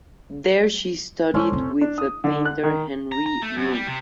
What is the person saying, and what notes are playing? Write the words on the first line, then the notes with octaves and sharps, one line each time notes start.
There she studied with the painter Henri Rul.
G#3 A3 C#4 C5
E1 C4
D4
D#6
D3
F#6
D#3
A#5
A#5
A3
F#2
G3
C3